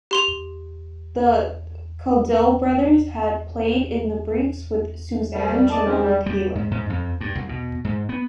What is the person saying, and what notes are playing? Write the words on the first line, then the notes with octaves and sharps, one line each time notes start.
The Caudill brothers had played in The Breaks with Susanne Jerome-Taylor.
G4 C6 F7
C2 G3
A4 D5 D#5 A5
D#2 C3 D#3 G#3 C4 C#4
G3
G3
G#2
G#2
F2
G2
C2
B2
G#2
B3